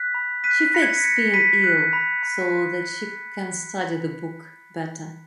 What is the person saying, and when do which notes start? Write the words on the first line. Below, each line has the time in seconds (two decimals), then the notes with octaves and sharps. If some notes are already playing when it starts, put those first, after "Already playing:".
She fakes being ill so that she can study the book better.
Already playing: F#6 B6
0.14 B5
0.44 F#6 B6 D#7
0.74 B5 A#6 C#7
0.82 G#6
0.90 A#6
0.97 B6
1.04 F#6 A#6 C#7
1.34 B5 B6 D#7
1.64 F#6
1.93 B5
2.23 B5